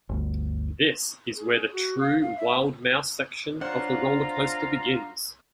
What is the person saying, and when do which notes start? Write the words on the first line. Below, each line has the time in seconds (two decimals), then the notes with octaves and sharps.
This is where the true wild mouse section of the roller coaster begins.
0.09 G1 D2
1.36 G#4
1.73 F#4
2.00 F5
2.22 F5
2.37 E5
3.61 D4 F4 C5 C#5 F5 F#5 A#5